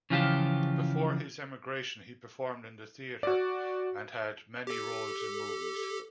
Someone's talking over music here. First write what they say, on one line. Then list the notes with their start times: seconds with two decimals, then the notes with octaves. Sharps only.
Before his emigration he performed in the theater and had many roles in movies.
0.10 C#3 E3 F3 F4 G4
3.23 F#4 D5
4.67 G4 A4